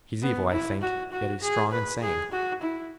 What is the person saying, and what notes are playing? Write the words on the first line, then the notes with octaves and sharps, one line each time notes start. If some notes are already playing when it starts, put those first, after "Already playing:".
"He's evil, I think, yet he's strong and sane."
B3
E4
F#4
F#4
G#4
B4
G#4
F#4
E4